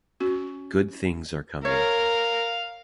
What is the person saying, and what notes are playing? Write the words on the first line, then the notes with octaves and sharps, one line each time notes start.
Good things are coming.
C#4 F#4
A#4 C#5 F5